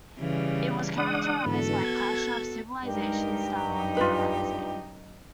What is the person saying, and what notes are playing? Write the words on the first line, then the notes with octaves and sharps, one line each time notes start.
It was characterized by clash of civilizations-style theorizing.
C#3 E3 G3
G#3 D4 F#5 D#6
G#2 D3 E3 B3 F#4 A4
G#6
G2 G#3 D#4 G4 A#4
F#2 D#4
F4 B4